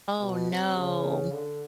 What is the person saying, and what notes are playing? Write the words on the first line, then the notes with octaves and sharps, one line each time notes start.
Oh, no.
B2
C3
C#3
D3